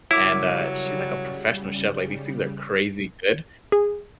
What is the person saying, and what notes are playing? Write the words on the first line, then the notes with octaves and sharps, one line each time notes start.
and, uh, she's, like, a professional chef, like, these things are crazy good,
C#3 F#3 G3 E4 A#4 D6 F6
G#4